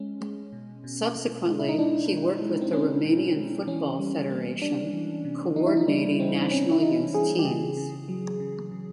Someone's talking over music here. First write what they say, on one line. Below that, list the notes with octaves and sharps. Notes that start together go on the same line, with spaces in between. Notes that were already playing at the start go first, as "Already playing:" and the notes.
Subsequently he worked with the Romanian Football Federation, coordinating national youth teams.
Already playing: G#3 C#4
G#3
B2
B2
B2
G#3
E4
D#4
B2 D4
G#3
G#3
C4
G#3 C#4
B2
G#3
E3 C#4
G3
A#3
G3 D4
E3
C3
E3 D#4
E4
D#4
G3 D4
E3 C4
C4
C3 C#4
E4
E3 D#4
E3 G#4
G4
C#3 G#4
C#3
F#3
C#3
C#3